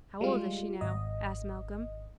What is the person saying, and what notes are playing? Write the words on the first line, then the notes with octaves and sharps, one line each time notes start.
"How old is she now?" asked Malcolm.
G3 G#3 F4
G#1 D#5